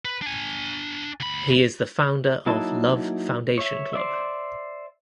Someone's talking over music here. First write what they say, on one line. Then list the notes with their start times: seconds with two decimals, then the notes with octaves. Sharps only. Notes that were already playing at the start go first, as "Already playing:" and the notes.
He is the founder of Love Foundation Club.
0.05 B4
0.22 D4 G#5
1.20 D2 B5
2.46 F#3 A#3 D#4 E4 A5
3.58 C#5 E5
3.93 C5 D5 E5